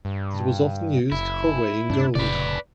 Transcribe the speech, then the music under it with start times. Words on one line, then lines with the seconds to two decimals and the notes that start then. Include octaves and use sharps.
It was often used for weighing gold.
0.05 G2
1.12 F#1 E4
1.90 D2 G2 C#4 D4
2.15 F1 A#2 C#3 B4 D5